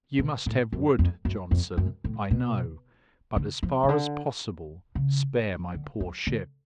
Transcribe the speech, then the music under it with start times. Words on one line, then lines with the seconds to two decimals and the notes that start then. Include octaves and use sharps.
You must have wood, Johnson, I know, but, as far as possible, spare my poor ship.
0.19 B2
0.46 A2
0.72 F#2
0.99 F2
1.25 F#2
1.51 F2
1.77 F#2
2.04 A2
2.31 B2
3.36 D3
3.63 F3
3.83 C#3
3.89 D3
4.95 C#3
5.75 D3
6.00 F3
6.27 D3